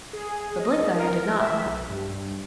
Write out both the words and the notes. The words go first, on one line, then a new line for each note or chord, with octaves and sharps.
But Blenkiron did not laugh.
G#4
D#5
A#4
E5
B1
G2